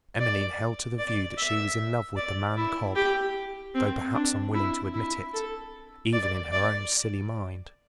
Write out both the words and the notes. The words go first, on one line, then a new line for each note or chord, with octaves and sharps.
Emmeline held to the view that she was in love with the man Cobb, though perhaps unwilling to admit it, even in her own silly mind.
D5
D5
E5
D5
E4
G4
C4
D4
E4
E4
A4
D5
D5